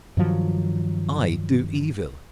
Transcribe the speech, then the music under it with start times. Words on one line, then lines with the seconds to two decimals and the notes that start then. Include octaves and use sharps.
I, do evil!
0.17 G2 D#3 F3 F#3